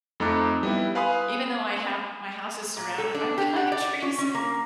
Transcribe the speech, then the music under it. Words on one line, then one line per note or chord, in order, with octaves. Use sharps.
even though I have my house is surrounded by pine trees,
F2 A3 D#4 A#5 D6 F#6
G3 B3 E4
B4 F5 G#5 B5 C6 D#6
A#2
A4
D4
G4
F#5
D5
C#4
C#4
A#3